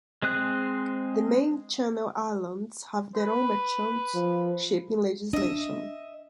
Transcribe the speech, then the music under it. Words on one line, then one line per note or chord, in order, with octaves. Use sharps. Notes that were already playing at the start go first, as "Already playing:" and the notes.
The main Channel Islands have their own Merchant Shipping Legislation.
G#3 C4 G#4 F#6
B4
F3
D4 D#5 E5